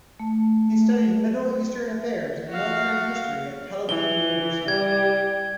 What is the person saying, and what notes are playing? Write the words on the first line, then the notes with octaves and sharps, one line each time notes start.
He studied Middle Eastern affairs and military history at Tel Aviv University.
A3
F#4 F5
E3 G7
G3 G#6